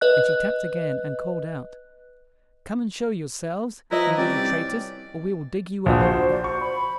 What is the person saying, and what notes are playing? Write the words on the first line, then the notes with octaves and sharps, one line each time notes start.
And she tapped again, and called out, "Come and show yourselves, you little traitors, or we will dig you up!"
B4 D#5 F#6
F3 E4 B4 D#5 A#5
C2 C#4 G4 D5
A#1 F#4
C5
D5
C5 C#6
B5